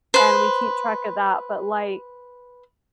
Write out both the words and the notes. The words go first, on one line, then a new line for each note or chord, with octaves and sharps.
and we keep track of that, but, like,
B4 C5